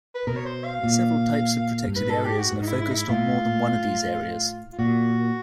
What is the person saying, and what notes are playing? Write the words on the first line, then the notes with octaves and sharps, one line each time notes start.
Several types of protected areas are focused on more than one of these areas.
B4
B2 A#4
C#5
C5
F5
A#2
G2
G#2 B4
A4
G4
F#4
G#2
D#4
E4
E4
D#4
E4
A2 F4
F4
A#2 F#4